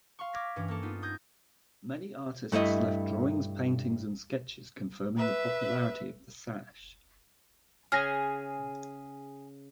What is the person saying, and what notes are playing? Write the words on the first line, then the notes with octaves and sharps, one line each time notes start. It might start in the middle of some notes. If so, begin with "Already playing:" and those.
Many artists left drawings, paintings and sketches confirming the popularity of the sash.
F5 C6 C#6
D6 F6 G#6 A#6 B6
G2 E3 C#4
A#3 A4
B3 D#4 F4
D#6 G6 G#6 A#6
G2 A3 E4 D#5
B4 E5
C#3 G#4 F6 A#6